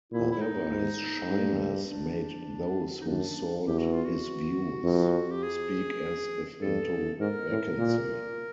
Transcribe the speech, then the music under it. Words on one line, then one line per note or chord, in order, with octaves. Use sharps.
However his shyness made those who sought his views... speak as if into vacancy.
A#2 E4
E4
D#4
G#2
G2
D4
D#4
F#2 D4
E2 G4
F#4
F4
F#4
F2
G4
G#4
G2 A4
G#2 A#4
A2
A#2